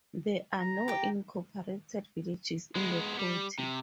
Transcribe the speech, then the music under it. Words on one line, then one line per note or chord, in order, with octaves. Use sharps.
There are no incorporated villages in the county.
A#5
G4 G5
G#3 B3
G3
C3